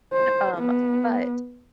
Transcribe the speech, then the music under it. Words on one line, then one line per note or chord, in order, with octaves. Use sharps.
um, but,
C5
B3